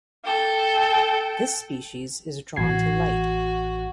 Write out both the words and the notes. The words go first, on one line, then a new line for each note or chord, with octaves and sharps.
This species is drawn to light.
A4 G5
A1 F#4 G#6 C7